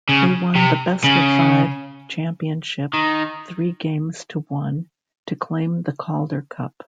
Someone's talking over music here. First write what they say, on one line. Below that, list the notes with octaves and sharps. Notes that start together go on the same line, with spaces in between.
They won the best-of-five championship three games to one to claim the Calder Cup.
C#3
C3
C#3
D#3